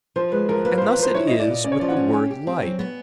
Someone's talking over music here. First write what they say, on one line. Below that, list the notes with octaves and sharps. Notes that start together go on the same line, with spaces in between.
And thus it is with the word light.
F3 C5
G#3 B4
F3 A#4
A#3 B4
C5
F3
B4
F3 C5
E4 C#5
E4 D#5
D5
A#2
C#4 D5
C#5
F3 D5
F#5
C#4
G4 G#5
G4
C4
F#3
B3